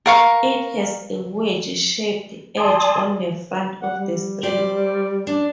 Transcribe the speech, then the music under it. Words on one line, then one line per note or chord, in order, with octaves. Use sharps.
It has a wedge shaped edge on the front of the strip.
A#4 F5 C#6
D5 G#5 A5 C6 D#6
F#5
G3
G4 C5 D5
D4 D5